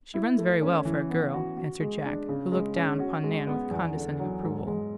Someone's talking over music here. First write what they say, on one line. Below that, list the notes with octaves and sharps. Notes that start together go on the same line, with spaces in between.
"She runs very well for a girl," answered Jack, who looked down upon Nan with condescending approval.
E4
A3
C#4
E3
B3
F#4
F#4
G#3
D4
C#3
G#3
C#4
F#4
G#3
B3
E2
D3
F#3
G#2
G#3